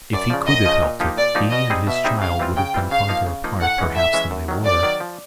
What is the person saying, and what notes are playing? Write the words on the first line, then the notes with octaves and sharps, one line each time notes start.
If he could have helped it, he and his child would have been farther apart perhaps than they were.
F#2 D5
C#3 F3
F#2 D#5
C#3 F3
A#2
F3 A#3 D#4 G4
A#2 D5
F3 A#3 D#4 G4
B2 D#5
G3 C4 D#4 G#4
B2 E5
G3 C4 D#4 G#4
C#3 F5
E3 G3 C4 F4
C#3 G5
E3 G3 C4 F4
C#3 F5
F3 A#3 D#4
C#3
F3 A#3 D#4
A2 F#5
E3 G#3 C#4
A2 E5
E3 G#3 C#4
F#2
D#3 F#3
F#2 D5
D#3 F#3
F3